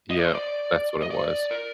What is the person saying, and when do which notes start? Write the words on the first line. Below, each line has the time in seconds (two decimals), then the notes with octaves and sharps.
Yeah, that's what it was.
0.10 D#5
0.19 D5
0.27 C5
0.35 D5
1.02 D#5
1.11 D5
1.51 A#4